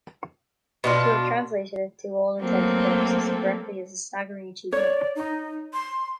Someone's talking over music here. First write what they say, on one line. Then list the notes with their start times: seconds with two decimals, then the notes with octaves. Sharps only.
To have translated it to all intents and purposes correctly is a staggering achievement.
0.84 B2 D4 F4
2.39 F#3 A3 A#3 C4 A4
4.73 C#5 D5
5.16 D#4
5.73 C6